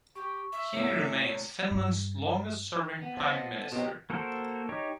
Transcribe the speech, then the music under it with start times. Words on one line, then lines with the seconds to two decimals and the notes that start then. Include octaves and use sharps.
He remains Finland's longest-serving prime minister.
0.15 G4 C#6
0.52 E5
0.73 E2 A2 C3 C#5
1.71 G2
3.02 B3
3.17 C5 D#5 F5 A5
3.55 A4
3.72 B2 F#3 D#4 G4 C5
4.10 A#3 F#4 A4 A#4 C5
4.69 D#4 G4 C#5